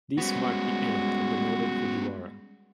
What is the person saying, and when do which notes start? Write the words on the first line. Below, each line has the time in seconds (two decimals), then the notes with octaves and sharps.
This marked the end of the Northern Fujiwara.
0.18 G3 G#3 B3 C#4 F#4